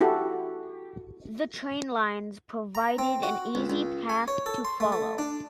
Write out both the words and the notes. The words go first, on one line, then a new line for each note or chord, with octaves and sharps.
The train lines provided an easy path to follow.
E4 F#4 G4 A4
A#5
C4
F#4
C#2
C#2
G#5
C#5
A4
C6
A3
A3
D4